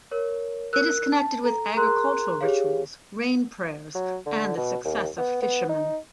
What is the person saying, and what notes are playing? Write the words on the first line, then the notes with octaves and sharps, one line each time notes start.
It is connected with agricultural rituals, rain prayers, and the success of fisherman.
A#4 C#5
A#4 E6 F#6
A5
A4 A#5
G#4 A#4 A#5 C6 F#6
G4 G#4 C#5 F5
F#3
D3
B2
D#2
B3
B3
D#4